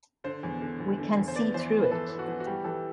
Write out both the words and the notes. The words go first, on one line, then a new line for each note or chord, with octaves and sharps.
We can see through it.
D3 C5
E2
D3
E2
D3
E2
C5
B3 D5
E3 C5
B3
B4
E3 A4
B3
F#4
E3
F#4
G3 G4
E3 A4